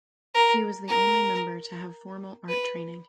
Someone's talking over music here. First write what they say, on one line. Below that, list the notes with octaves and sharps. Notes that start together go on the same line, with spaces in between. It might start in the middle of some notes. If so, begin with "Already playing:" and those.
He was the only member to have formal art training.
A#4
A#4
B4